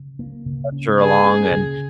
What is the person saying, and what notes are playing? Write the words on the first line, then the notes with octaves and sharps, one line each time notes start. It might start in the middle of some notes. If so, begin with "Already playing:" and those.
coach her along and
Already playing: C#3
A#3
C#3
C#4
A#3 G#4
C#4
C#3